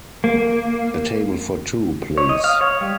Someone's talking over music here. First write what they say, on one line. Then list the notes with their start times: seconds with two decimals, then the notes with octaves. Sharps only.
A table for two, please.
0.24 A#3
2.18 C#5
2.29 D#5
2.44 F5
2.61 C#5
2.81 G3